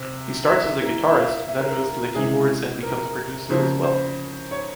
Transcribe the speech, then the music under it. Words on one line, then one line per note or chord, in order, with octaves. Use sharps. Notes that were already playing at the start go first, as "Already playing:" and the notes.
He starts as a guitarist, then moves to the keyboards and becomes producer as well.
Already playing: C3 C5
E5
E3 A#3
E5
F5
E5
A#4
A#4
C3 E3 G#3 G#4
A#4
C#3 F3 A#3 C5
C5
C#5